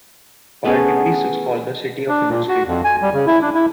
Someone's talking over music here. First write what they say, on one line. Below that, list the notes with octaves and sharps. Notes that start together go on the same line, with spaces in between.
Pardubice is called the city of industry.
A3 B3 C#4 G#4
D4
A#2
F#4
F2
G#5
G3
C#3
E4
D4
E4